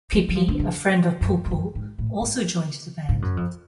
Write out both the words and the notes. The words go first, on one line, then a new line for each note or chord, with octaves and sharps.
Pipi, a friend of Pulpul, also joined the band.
F#3
F#3
F3
D3
C#3
F#2
F2
F#2
G#2
A2
G#2
G#2
F#2
F2